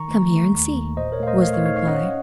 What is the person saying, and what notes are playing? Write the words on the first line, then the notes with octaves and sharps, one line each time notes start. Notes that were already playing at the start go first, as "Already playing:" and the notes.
"Come here and see," was the reply.
Already playing: D#3 A#5 C#6
A3
A3
D#2
D#2
A#2 C5 D#5
A#4 C#5
A3 F5
C5 D#5
A3 C#5 F5
C#5 F5
D#4 C#5 F5
C#5 F5
C#4 D#5 F#5